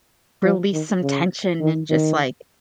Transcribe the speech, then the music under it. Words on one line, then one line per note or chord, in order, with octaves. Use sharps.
release some tension and just, like,
F3
D#3
C#3
D#3
D#3